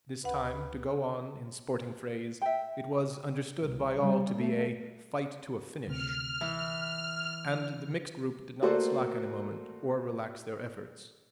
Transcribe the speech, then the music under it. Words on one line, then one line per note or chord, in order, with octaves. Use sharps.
This time, to go on in sporting phrase, it was understood by all to be a 'fight to a finish,' and the mixed group did not slacken a moment or relax their efforts.
D2 B4 F#5
E5 G5
C2
G3
A3
D2 C3 F6
E3
A3 A#3 F#4 A4 C5 D5